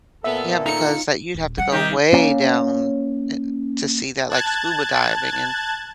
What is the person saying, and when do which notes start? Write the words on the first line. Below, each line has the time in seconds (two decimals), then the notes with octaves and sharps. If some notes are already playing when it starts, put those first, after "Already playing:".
Yeah, because that you'd have to go way down in to see that, like scuba diving, and
0.24 A#2 B3 A4 E5
0.66 D#4 F4 A#5 C#7
1.35 D#1
1.58 G3 F#5
1.72 D#3 D#4 G4
2.13 A#3 C#4
4.29 A5 F#6 G#6 A6